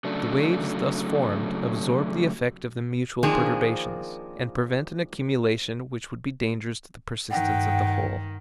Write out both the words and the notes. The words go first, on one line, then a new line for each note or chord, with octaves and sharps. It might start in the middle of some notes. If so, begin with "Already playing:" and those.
The waves thus formed absorb the effect of the mutual perturbations, and prevent an accumulation which would be dangerous to the persistence of the whole.
C#3 F#3 A3 D4
D#3 F3 A#3 C4 D4 G#4
G2 D#3 F#5 G5